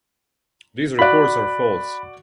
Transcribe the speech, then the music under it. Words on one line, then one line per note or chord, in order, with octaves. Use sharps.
These reports are false.
F#4 D5 B5 F#6